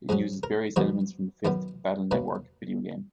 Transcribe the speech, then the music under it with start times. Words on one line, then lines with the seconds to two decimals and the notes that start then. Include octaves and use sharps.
It uses various elements from the fifth "Battle Network" video game.
0.09 G#2 F#3 C#4 G#4
0.43 A#4
0.76 F#2 D#3 F#3 B3 C#5
1.45 F#2 D#3 F#3 B3
2.11 B2 A#3 C#4 B4